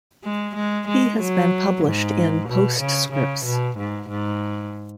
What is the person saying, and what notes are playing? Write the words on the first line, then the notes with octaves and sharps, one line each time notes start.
He has been published in "Postscripts".
G#3
G#3
G#3
F#3
G#2
B2
C#3
C#3
B2
G#2
G#2